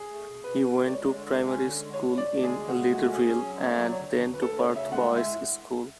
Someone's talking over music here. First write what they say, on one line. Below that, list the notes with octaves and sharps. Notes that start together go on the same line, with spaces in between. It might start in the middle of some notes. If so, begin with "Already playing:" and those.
He went to primary school in Leederville, and then to Perth Boys School.
Already playing: G#4
A3
B2
B2 B4
B2
A3
D5
G#3 C#5
D3
G#3
C#4
D3
G#3
D2 C#5
D2
D5
D2
G#3 G#4
C#3
F#4
G#3
A3 F#4
C#4
G#4
C#4
F#3
A3
F#3
D5
D2 C#5
D2
D2
B4
D2 A4
C#3 C#5
D2 E5
G#3 F#5
G#3
E5
A2